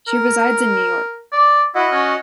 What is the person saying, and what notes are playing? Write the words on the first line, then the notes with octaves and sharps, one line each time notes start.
She resides in New York.
A#4
D5
E4 F#4 D#5 F#5
C#4